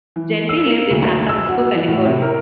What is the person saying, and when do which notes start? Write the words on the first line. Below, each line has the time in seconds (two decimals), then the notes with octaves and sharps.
Gentry lived in San Francisco, California.
0.16 E3
0.49 E6
0.66 A#3
0.91 D2
1.29 E6
1.49 F#4
1.75 E3
1.88 A2
2.05 C3
2.22 A#4